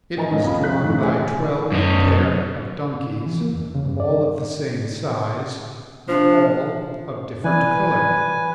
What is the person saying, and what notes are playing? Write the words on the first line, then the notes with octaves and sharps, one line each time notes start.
It was drawn by twelve pair of donkeys, all of the same size, but all of different color.
D#3 E3 D#5 G#5 A#5
G#2 C#4 D#4 F5
B1 F2 D#4 B5
F#6 B6
A2 C#4
E2 G4 G#4
F#2 D#4
E3
A#3
E2
C#3
G2
D5
F3 D4
E3 B4 D5 G#5